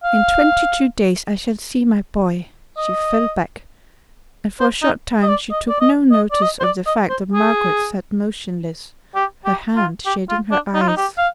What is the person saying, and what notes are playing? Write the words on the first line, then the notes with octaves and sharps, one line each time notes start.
In twenty-two days I shall see my boy.' She fell back, and for a short time she took no notice of the fact that Margaret sat motionless, her hand shading her eyes.
F5
D#5
C5
D#4
D#5
D5
D#5
D5
D#5
D#5
D5
D#5
C5
D5
D#5
C5
G#4
G4
G4
F4
G4
F4
D4
D#4
F4
D#4
G4
F5